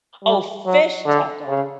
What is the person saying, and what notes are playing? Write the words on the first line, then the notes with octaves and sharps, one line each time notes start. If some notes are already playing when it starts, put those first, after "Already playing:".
Oh, fish taco.
G3
F#3
D3
C#3